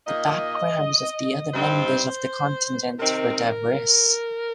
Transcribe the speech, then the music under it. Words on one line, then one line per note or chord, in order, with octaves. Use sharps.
The backgrounds of the other members of the contingent were diverse.
A#2 A#3 D#4 D#5
G2 G3 C4 D#4 C5
C3 D#3 C4 D#4 A#4